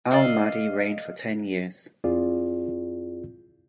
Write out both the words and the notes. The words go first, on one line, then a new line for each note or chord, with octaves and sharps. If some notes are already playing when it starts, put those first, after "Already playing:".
Al-Mahdi reigned for ten years.
D5 D#5 F5 E6
F2 C4 E4 F4 G#4 D5